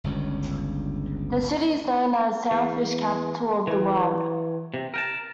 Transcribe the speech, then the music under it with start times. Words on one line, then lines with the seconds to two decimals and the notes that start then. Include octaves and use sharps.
The city is known as the "Sailfish Capital of the World".
0.04 G1 C#2 G2 C#4
2.51 E2
3.67 E3
4.74 C3
4.94 A#4 G5 A5